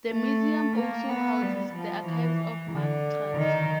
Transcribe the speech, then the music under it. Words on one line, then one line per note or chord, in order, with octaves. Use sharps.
The museum also houses the archives of Mack Trucks.
A3
A#3
B3
G3
F3
E3
D3
D#3